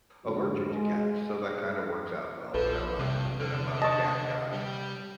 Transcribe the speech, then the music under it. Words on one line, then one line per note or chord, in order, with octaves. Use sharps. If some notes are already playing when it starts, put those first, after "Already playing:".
allergic to cats, so that kinda works out well, that I'm not th that I'm not a cat guy,
F2 G#2 D3 F#4
G#3
A#1 F3 A4 B4
G2 C3
D3
D#5 A5 C#6
G3